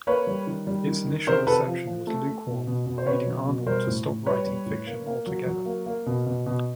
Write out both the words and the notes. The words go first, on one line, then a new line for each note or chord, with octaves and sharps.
Its initial reception was lukewarm, leading Arnold to stop writing fiction altogether.
A#3 B4 C#5
G3
D#3
G3
D#3
D#3
C3 A#4 C5
C3 A4 B4
F3
F3
A3
A3
B2
B2
B2
C5
B2 B4 C#5
F#3
B2
G3 A#4 C5
A2
A2
G3 B4 C#5
G3
A2
A#3
A#3
F#3
F#3
A#3
A#3
B2
B2
B2